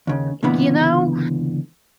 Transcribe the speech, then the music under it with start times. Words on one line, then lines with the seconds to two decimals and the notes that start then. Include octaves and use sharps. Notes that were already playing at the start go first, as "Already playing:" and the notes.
You know,
0.07 D#2 C#3
0.43 C#2 A#2 D3 E3 B3 B5